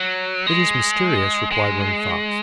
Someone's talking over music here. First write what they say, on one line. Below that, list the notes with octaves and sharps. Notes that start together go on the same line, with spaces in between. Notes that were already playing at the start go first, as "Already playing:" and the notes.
"It is mysterious," replied Running Fox.
Already playing: F#3
G#3
G#3